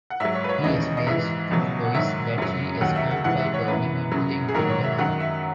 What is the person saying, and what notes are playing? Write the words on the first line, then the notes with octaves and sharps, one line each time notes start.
He explains to Lois that he escaped by turning into the Incredible Hulk.
F#5
G#2 F#3 E5
C#5
B4
C#5
D#2 C#3 E3 D#5
D#5
G#2 E3 E5
C#2 B2 F#3
F#5
G#2 D#3 F#3 E5
F#2 C#3 F#3
D#2 D#3 F#3 F#5
E5
F#5
G#2 E3 F#5
E5
C#5
F#2 E3 B4
F#2 C#3 F#3
G#4
G#2 D#3 F#3 A#4
C#5
E5
F#2 D#3 F#3 F#5
E5